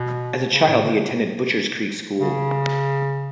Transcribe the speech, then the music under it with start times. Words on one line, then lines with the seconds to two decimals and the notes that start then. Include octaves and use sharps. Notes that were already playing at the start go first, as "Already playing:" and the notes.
As a child he attended Butchers Creek School.
Already playing: B2
0.52 C#3
0.67 A2
0.83 D3
2.20 C#3